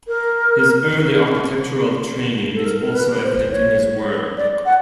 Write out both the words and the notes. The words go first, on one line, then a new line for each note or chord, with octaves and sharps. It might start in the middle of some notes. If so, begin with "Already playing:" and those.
His early architectural training is also evident in his work.
A#4
A4
A#4
A#4
B4
C5
C#5
D5
F#5